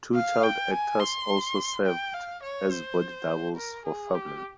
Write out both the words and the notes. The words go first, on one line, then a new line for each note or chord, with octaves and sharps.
Two child actors also served as body doubles for Fuhrman.
F5
G5
G#5
C6
G5
F5
C#5
C5
A#4
G#4
G4